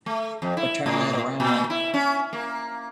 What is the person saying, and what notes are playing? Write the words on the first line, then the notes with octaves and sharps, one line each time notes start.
But turn that around.
A3
F2
E4
A2
A#2
E4
C#4
A#3